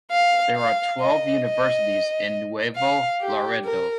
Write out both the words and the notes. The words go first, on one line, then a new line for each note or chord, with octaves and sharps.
There are twelve universities in Nuevo Laredo.
F5
F5
D#5
D#5
F5
G4
A#4